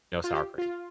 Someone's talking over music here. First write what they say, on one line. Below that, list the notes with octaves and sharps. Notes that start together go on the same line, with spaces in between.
No sour cream.
F4
G4
F4